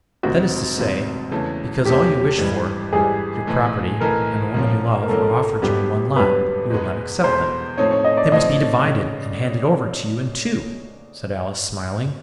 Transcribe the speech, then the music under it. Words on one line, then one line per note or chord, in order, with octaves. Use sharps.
"That is to say, because all you wish for, your property and a woman you love, are offered you in one lot, you will not accept them; they must be divided, and handed over to you in two!" said Alice, smiling.
E1 D2 C3 D#3 F#4
E1 D2 C3 D#3
E2 C#3 E3 A3 C#4
E2 C#3 E3 A3 C#4 G4
G#1 G2 E3 G3
G#1 G2 E3 G3 G#4
B1 A2 E3 A3
B1 A2 E3 A3 A#4
A#1 G#2 F3 A#3 C#4
A#4
A#1 G#2 F3 A#3 C#4 A4
G#1 G2 D3 F#3 B3 G4
G#1 G2 D3 F#3 B3 B4
E2 B2 G#3 B3
E2 B2 G#3 B3 C5
A2 F3 A3 C4 D#4 C#5
C#5
D#5
D5
A2 F3 A3 C4 D#4 D#5
C#3